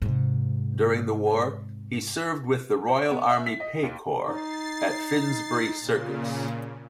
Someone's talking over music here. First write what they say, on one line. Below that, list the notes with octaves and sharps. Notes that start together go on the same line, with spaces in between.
During the war, he served with the Royal Army Pay Corps at Finsbury Circus.
G#2 C3
C5
B3
E5
B6
D#5
D#2
D#4 A6 C7
A#2 C#3